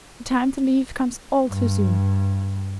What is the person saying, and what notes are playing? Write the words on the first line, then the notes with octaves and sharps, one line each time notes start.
The time to leave comes all too soon.
G2